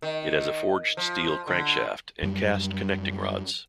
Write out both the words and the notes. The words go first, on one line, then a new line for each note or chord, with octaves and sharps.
It has a forged steel crankshaft and cast connecting rods.
D#3
F3
D3
F#2 G3